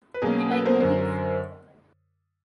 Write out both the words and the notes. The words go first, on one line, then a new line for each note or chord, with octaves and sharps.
Don't you like movies?
B4
B2 F#3 A#3 C#4 G#4 A#4
A4 B4
A#4 C5
F#2 D3 F#3 A#4 C5